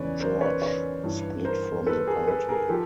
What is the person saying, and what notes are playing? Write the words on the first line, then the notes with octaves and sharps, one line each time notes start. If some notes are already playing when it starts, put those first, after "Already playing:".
George split from the party.
Already playing: E2 C#3 E3 B4 C#5 D5
A#4 C5
B4 C#5
B4 C#5
G2 E3
A#4 C5
A4 B4
G#4 A#4
A4 B4
G#4 A#4
F3 G4 A4